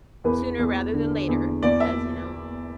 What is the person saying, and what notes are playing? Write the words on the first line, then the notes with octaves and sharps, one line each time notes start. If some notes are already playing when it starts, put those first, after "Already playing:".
sooner rather than later, because, you know,
E2 B4
E2
D3
E2
E2 D5
E5